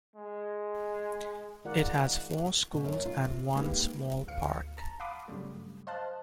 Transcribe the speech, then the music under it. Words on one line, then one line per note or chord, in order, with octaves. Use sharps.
It has four schools and one small park.
G#3
D#3 G#3 F4 A#4 D5 F#5
B2
F#2
F4
C3
G#3 A#3 D#4 G4 B4 F5
G1 D2 F5 C#7
A5 A#5
F5 F#5 B5 C6 D6 D#6
G2 C#3 F#3 G3 A3
C5 D#5 F5 A5 F#6